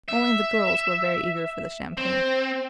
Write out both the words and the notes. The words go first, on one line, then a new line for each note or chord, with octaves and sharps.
Only the girls were very eager for the champagne.
E5
C4